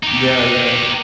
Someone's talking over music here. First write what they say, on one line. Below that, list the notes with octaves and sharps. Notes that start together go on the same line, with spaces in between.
Yeah, yeah.
D#4 G4